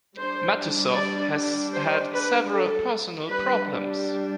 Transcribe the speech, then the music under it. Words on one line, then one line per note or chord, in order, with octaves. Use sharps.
Matusow has had several personal problems.
G3 D4 C5
D5
C5
B4
A4
G3 D4 B4